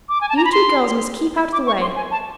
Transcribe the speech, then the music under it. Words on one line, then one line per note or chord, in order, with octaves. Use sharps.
You two girls must keep out of the way.
D6
G#5
A5
A#5
B5
C6
D6
C#6
C6
G#5
A5